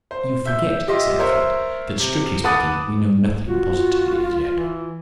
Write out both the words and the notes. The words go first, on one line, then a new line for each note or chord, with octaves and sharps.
"You forget, Sir Ethelred, that strictly speaking we know nothing positively--as yet."
C5
E5 G6
F4 G4 D#5 E5 C6
A#4 C5 C#5 E5
C3
B4 F#5 A5 D6 D#6 A6
F4 F#4
F4
E3